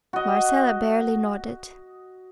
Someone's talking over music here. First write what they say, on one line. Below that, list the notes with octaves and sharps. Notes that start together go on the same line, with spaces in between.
Marcella barely nodded.
F#4 D#5